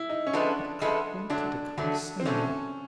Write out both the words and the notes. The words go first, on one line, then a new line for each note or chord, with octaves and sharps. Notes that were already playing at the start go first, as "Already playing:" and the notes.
But I wanted to come so much.
Already playing: E4
D#4
C#4
F3 G#3 B3 D4 E4 A4
F3 G#3 B3 E4 A4
D3 F#3 A3 D4
D3 F#3 A3
C4
D3 F#3 A3 C#4